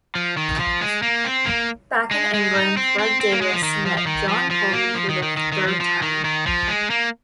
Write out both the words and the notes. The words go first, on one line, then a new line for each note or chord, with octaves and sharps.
Back in England, Fred Davis met John Pulman for the third time.
F3
D#3
F3
G#3
A#3
C4
A#3
G#3
G#3
D#4
C4
C4
C4
A#3
G#3
F3
D#3
F3
F3
D#3
F3
F3
A#3
F3
D#3
D#3
D#3
D#3
F3
F3
D#3
D#3
F3
G#3
A#3